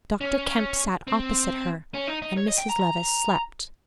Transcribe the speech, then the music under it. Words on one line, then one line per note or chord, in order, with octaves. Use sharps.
Dr. Kemp sat opposite her--and Mrs. Levice slept.
C#4
C4
C#4
D#4
D#4
C#5
D#5
G5
A#5
A#5